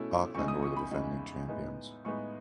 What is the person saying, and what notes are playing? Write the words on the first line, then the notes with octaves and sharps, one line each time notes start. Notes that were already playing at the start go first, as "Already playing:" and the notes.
Auckland were the defending champions.
Already playing: B2 A3 C#4 E4
E2 C#3 G#3 D#4 C#6
D#6
C#6
B5
E2 C#3 G#3 D#4
A2 G#3 B3 D#4
A2 G#3 B3 D#4 C#6